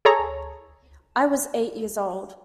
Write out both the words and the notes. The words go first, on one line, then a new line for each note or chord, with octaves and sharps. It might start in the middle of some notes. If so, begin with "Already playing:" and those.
I was eight years old.
G#4 A4 C#5 A#5